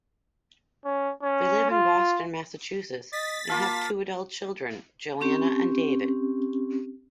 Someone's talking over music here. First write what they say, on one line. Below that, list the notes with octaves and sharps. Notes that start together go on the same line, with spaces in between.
They live in Boston, Massachusetts, and have two adult children, Joanna and David.
C#4
C#4
F4
D#5 A6 B6
A#3 F4 F5 A5
C4 C#4 G4